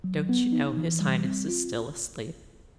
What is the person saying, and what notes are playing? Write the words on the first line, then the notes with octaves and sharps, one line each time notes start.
Don't you know his highness is still asleep?'
F#3
B3
D#4
E3
G3
C4
F4